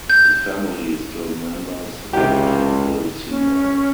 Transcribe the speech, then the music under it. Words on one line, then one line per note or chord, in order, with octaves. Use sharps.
His family is still members of Temple Sinai.
G6
C#2 C3 G4
C#4